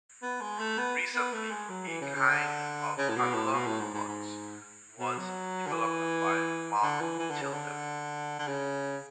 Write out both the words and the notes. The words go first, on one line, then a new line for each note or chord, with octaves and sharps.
Recently a kind of analog robots was developed by Mark Tilden.
B3
G#3
A3
B3
B3
A3
G#3
F#3
E3
C#3
C#3
D3
C#3
A2
B2
A2
B2
A2
G#2
G#2
G#2
B2
F#3
D3
E3
D3
E3
E3
D3
C#3
D3
D3
C#3